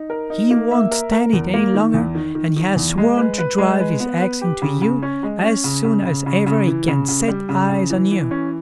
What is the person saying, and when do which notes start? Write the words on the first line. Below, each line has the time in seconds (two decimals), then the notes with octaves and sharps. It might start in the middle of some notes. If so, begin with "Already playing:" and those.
He won't stand it any longer, and has sworn to drive his axe into you as soon as ever he can set eyes on you.'
Already playing: D#4
0.10 A#4
0.30 D#4
0.51 A#3
0.71 E5
0.91 A#4
1.12 A#4
1.33 E2
1.54 A#3
1.74 D#3
1.94 E2
2.15 D#3
2.35 D#3
2.56 D#3
2.76 E2
2.98 G#3
3.17 B4
3.38 B4
3.58 G#3
3.79 B4
4.00 B3
4.20 B4
4.41 G4
4.62 C#3
4.82 C#3
5.03 C#4
5.23 G#3
5.43 C#4
5.64 C#3
5.84 C#3
6.05 C#3
6.26 C#3
6.46 C#3
6.67 E3
6.88 C#3
7.08 C#3
7.28 G3
7.49 C#3
7.69 C#3
7.90 E3
8.11 E3
8.31 C#4